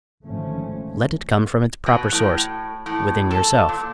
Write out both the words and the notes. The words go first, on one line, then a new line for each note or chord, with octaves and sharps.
Let it come from its proper source--within yourself.
G#1 D3 D#3 F3 A3 C#4
B2
A2
A2
A4
A#2